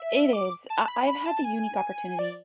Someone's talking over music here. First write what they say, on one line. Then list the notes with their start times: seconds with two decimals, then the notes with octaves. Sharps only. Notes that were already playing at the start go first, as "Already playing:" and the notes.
It is, I I've had the unique opportunity
Already playing: E5
0.33 D6
0.70 A5
0.88 B5
1.07 B5
1.26 A5
1.44 G#5
2.19 D5